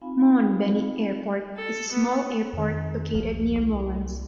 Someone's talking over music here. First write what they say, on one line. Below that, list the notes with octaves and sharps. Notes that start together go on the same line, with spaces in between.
Montbeugny Airport is a small airport located near Moulins.
C4 D#4 F4 F5 G#5 B5
A4
B3
F2 D#3
D#1 A#1 F3 A#3
C2